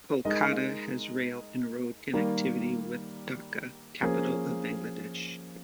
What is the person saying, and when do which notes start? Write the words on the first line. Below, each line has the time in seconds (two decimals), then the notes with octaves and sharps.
Kolkata has rail and road connectivity with Dhaka, capital of Bangladesh.
0.25 G#3 D#4 A#4 D#5
2.13 D#3 G3 A#3
4.03 F3 A#3 C#4 G#4